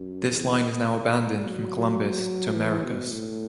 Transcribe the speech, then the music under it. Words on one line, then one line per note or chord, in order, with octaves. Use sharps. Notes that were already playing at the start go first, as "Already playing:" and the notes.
This line is now abandoned from Columbus to Americus.
Already playing: F#2
E2
F#3
E3
B2
A2